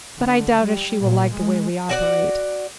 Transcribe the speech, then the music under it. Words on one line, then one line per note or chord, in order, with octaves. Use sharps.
But I doubt if she will like the way we operate.
D3
G3
A#2
G#3
F#4 D5 F#5